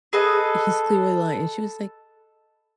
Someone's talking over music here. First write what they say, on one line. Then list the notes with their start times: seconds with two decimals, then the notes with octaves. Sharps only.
he's clearly lying. And she was like,
0.13 G#4 A4 B4 D#5